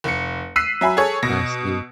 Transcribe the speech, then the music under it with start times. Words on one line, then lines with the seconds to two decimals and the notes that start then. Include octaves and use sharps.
I see.
0.04 F1 C#7
0.56 E6 F#6 B6 C7 D#7
0.81 F#3 E5 G#5 B5
0.97 G#4 A4 C#5 G#6
1.23 B2 A#6